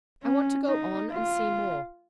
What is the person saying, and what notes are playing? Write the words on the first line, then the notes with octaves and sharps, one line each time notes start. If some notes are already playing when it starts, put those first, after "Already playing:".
I want to go on and see more.
C#4
D#4
F4